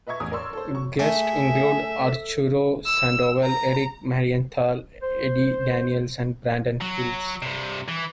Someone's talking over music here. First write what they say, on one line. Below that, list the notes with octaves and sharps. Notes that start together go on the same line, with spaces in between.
Guests include Arturo Sandoval, Eric Marienthal, Eddie Daniels, and Brandon Fields.
B4 D#5 E5 C#6 G#6
A1 E2 D#6
A#4 C#5 D5 C6 C#6 E6
A4 C5
F#3 C#6
A3 G#4 A4 E5
E6
A#5
C5
F#3
G2 C3
E3